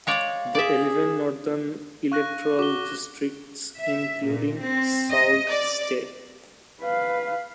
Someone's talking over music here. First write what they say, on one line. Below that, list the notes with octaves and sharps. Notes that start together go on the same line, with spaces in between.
The eleven northern electoral districts, including Sault Ste.
G#3 C#5 D5 F5
G#4 D5 E5
F5 C#6 F#6 A#6
F#4 D6 G7
E5
A#2
C4
D#5
D5
B4 F5